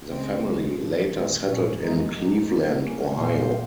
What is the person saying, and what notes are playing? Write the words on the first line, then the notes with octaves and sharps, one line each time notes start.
The family later settled in Cleveland, Ohio.
C#2 C#3 G#3 C4
C#2 C#3 G#3
A#1 G#2 F3
D#3 G#3 C4
A#1 G#2 G3 C#4
F2 C3 D#3 G#3 D#4
A#2 G3 A#3 D#4
A#2 G3 A#3
C3 G3 A#3 C#4
A#2 G3 A#3 F4 C5